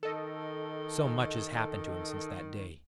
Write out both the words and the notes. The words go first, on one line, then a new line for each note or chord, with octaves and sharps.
So much has happened to him since that day.
D#3 A4 D#5